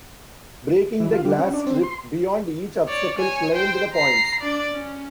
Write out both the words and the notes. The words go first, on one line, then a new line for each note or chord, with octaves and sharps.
Breaking the glass strip beyond each obstacle claimed the points.
E3
F4
G3
C#4
D4
C4
C6
C#5 D5
C#5 G#5
C5 G5
A#5 C7
D4 D5
C#4